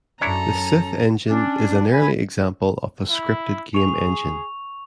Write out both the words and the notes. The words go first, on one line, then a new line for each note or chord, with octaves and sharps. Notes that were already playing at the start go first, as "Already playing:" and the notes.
The Sith engine is an early example of a scripted game engine.
F#2 C#4 D4 E4 A4 C#5 A#5
C#4 D4
G#5 B5
E4
G#4 C#6 F7